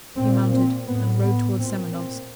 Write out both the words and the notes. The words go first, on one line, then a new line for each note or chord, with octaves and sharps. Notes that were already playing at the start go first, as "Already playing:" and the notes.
He mounted and rode toward Semenovsk.
A#2 C4
C4
A2 B3
B3
A#2 C4
C4